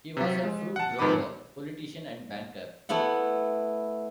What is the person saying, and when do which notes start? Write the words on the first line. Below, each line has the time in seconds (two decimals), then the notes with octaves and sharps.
He was a fruit-grower, politician and banker.
0.17 C3 F#3
0.44 G#3
0.76 F#5 A5
0.99 F2 G#2 C3 D#3 B4 D6
2.89 A3 B3 E4 F#5